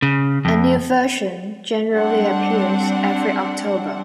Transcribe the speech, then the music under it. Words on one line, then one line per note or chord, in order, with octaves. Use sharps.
A new version generally appears every October.
C#3
F2
G3 C4 D4 F#5